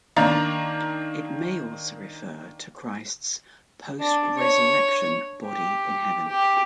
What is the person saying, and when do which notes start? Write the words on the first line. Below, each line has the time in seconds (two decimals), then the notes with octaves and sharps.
It may also refer to Christ's post-resurrection body in Heaven.
0.16 D#3 A#3 D4 A#5 D6 A6
4.00 D4
4.39 C#5
5.46 G4
6.28 G4